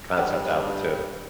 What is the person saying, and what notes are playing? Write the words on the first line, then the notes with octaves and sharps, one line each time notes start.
concept album too.
G2 C5 F#5 G5